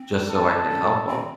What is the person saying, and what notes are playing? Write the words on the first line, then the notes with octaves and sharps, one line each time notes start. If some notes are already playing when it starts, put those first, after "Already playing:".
just so I can help 'em.
Already playing: C4
A4
C#4
C4